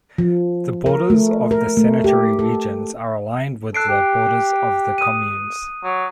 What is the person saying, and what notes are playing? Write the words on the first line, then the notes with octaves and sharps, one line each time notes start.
The borders of the sanitary regions are aligned with the borders of the communes.
F3
A#4
A3
A#4
A3
G4
A4
A4 F#6 C7 D7
G4
D#6 D#7
F#3